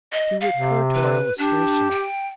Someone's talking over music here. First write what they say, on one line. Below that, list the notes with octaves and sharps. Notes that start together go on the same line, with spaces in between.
To recur to our illustration.
D#5
F5
C3
B4
D4 G4
G5